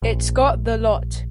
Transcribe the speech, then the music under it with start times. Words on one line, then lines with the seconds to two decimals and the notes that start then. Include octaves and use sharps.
It’s got the lot.
0.02 A#1